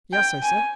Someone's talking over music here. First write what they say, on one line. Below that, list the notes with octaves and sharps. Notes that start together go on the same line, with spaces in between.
"Yes," I said.
G5
G#5